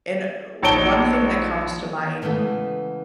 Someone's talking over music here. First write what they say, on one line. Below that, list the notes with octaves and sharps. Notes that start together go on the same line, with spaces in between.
and one thing that comes to mind
A#1 D#4 C#5 A5 D7 G7
C#3 E3 G#3 A3 B3